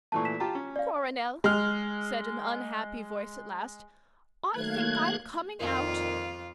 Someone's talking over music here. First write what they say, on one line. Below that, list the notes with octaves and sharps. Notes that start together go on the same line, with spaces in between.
"Coronel," said an unhappy voice at last, "I think I'm coming out."
A#2 E3 A3 A5 C#6
B6 E7
F4 G4 A5 A#5
C#4
D5 F5
G#3 F6
D#3 F#3 A3 A#3 F5 F#6 G#6
F2 A#2 D#3 F4